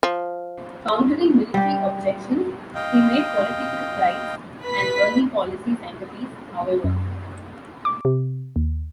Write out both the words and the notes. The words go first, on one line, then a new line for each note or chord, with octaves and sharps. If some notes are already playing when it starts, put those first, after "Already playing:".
Countering military objections, he made political rights an early policy centerpiece, however.
F3
G3 G4
D#5 F5 G5
B4 B6
F#2
D6
C3
D#2